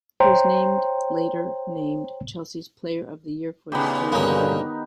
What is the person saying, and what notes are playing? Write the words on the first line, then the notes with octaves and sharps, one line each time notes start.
He was named later named Chelsea's Player of the Year for the third time.
C5 C#5 G5 A#5 C6
A#2 C#3 B3 D#4 G4
G2 B2 D3 D#3 A#3 C#4 D#4 B4